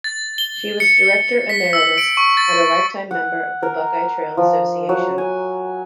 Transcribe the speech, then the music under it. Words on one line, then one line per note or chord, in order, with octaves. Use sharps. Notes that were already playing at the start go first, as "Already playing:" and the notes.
She was Director Emeritus and a lifetime member of the Buckeye Trail Association.
A6
G7
C#7
B6
E6
D7
C#6
A6
F#5
A#4
F3
F#3
G#5